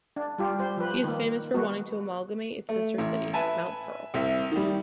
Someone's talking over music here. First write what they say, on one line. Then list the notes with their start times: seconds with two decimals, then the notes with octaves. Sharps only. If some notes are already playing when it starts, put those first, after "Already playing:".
He is famous for wanting to amalgamate its sister city, Mount Pearl.
0.16 D4
0.38 G3 F4 G4
0.59 G3 C5
0.77 F3 B4
1.04 D#3 A#3
1.54 G3 G#3 B3 F#4
2.69 A3
2.98 A1
3.33 B4 E5 G#5 A5
4.14 C2 E5
4.52 D#3 G3